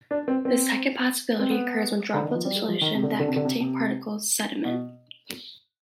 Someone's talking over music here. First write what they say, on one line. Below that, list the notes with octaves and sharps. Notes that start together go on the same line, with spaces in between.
The second possibility occurs when droplets of solution that contain particles sediment.
D4
C4
C4
C4
B3
D3
D#3
F3
G3
G#3
F3
D#3
C3
D3
C3
D3
C3
D3
C3
C3
B2